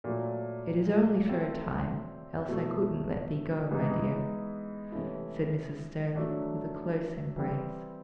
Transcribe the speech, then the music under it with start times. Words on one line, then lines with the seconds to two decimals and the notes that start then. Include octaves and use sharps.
"It is only for a time, else I couldn't let thee go, my dear," said Mrs. Sterling, with a close embrace.
0.04 A#2 F#3 A3
1.27 F#3 A3 C4
2.48 B2 F#3 A3
3.71 E3 G#3 B3 D#4
4.92 C3 E3 A3 C#4 E4
6.15 F#3 A3 D4
7.36 E3 G3 C4